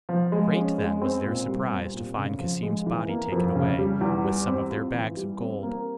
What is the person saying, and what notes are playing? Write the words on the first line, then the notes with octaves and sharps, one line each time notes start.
Great, then, was their surprise to find Cassim's body taken away, with some of their bags of gold.
F3
G#3
C#4
G#3
C4
A#2
G3
C4
A#2
C#3
F3
G#3
E3
A#3
F2
C#3
G3
E2
G3
C4
F4
E3
G3
C4
A#3